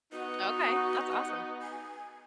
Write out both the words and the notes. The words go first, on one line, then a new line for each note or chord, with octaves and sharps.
Okay, that's awesome.
B3 D#4 F#4
G#5